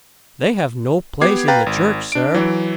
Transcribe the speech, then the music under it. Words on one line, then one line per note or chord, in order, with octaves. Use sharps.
They have no place in the church, sir!
B3 G4 D6 G#6 C7
B4 F5 G5 A#5 A6
G#1
D4 D7
E3 F#3